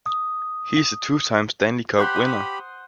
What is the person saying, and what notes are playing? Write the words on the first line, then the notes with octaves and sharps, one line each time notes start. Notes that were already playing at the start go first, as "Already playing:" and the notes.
He is a two time Stanley cup winner.
D#6
G4 C5 F#5 B5 C6
D#6